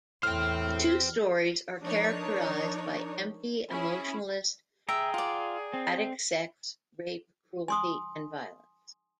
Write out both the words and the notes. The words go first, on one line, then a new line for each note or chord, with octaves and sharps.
The two stories are characterized by empty, emotionless, phatic sex; rape; cruelty; and violence.
E2 A2 C5 G5 F6
F3 D4 D#4 A#4 C#5
C#4 E4 G#4
G#4 E5 G5 A#5
F4 D5 F#5
C4
G#5 C6 D#6